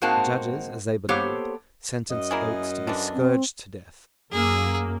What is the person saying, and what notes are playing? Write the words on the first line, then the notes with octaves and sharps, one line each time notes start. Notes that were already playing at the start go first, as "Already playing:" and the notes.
The judges, as they believed, sentenced Oates to be scourged to death.
G#2 G#3 A#3 C4 F#4 A5
A#3 B3 G4 A4 C5 C#5
F#2 D#5
A#3 E4 G#4
D3 E3 D4
C4
F#2 A#3 G#4 E6